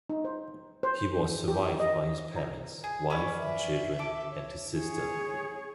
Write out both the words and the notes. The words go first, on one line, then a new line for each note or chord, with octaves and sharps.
He was survived by his parents, wife and children, and his sister.
D#4
C5
C5
G4
D#5
A#5
G#4 G#5
C#4 B4 D5
E5
A4 D6
C#5
G#4 C#5